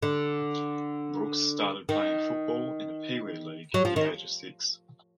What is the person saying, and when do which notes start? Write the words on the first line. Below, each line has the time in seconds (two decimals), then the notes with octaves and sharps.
Brooks started playing football in a pee wee league at the age of six.
0.02 D3
1.89 D#3
3.74 F#3
3.85 F3
3.96 D#3